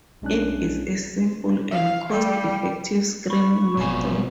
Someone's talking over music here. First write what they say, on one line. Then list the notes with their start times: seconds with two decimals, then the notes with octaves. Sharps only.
It is a simple and cost effective screening method.
0.22 B1 G#3 C#4 D4 F#6
1.71 F5
2.10 G3
3.30 B5 C#6
3.77 G#1 B2 F3 G#5